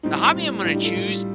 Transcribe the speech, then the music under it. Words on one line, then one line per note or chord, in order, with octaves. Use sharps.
the hobby I'm gonna choose
A2 G3 C4 D#4
A2 G3
G4
A2 G3 D4 F4
D#4 G4
F4 A4
A2 G3